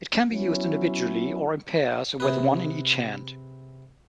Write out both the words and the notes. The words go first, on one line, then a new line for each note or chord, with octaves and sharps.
It can be used individually or in pairs, with one in each hand.
F#3 B3 C#4 E4
C3 G#4 B4